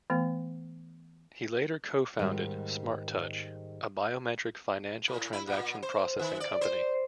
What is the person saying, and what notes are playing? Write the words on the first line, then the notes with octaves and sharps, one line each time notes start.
He later co-founded SmartTouch, a biometric financial transaction processing company.
E3 A3 B3
G#2 D#3 G3
A2
E4
A#2
C5
D#3
D5
C5